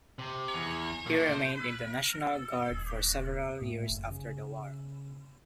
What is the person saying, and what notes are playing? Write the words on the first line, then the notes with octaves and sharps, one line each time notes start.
He remained in the National Guard for several years after the war.
C3
E2
A#2 A3
D#1
A2
F#1
C#3